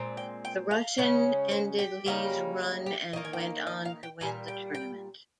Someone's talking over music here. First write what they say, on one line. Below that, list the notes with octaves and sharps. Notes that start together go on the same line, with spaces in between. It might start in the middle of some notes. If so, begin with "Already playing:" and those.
The Russian ended Li's run and went on to win the tournament.
Already playing: A#2 G#3 C4
G5
G5
F5
C#3 G#3 C#4
C5
G4
C#3 G3 A#3 D#4
G4
D#3 A#3 D#4 D#5
G#5
G5
F5
D#5
F5
G5
A#2 G3 G#5
G5
G5